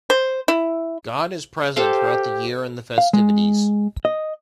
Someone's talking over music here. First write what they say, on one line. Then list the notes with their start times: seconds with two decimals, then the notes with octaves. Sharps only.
God is present throughout the year in the festivities.
0.10 C5
0.48 E4
1.76 G4 A4 C5 F5
2.98 F5
3.13 G#3
4.05 D#5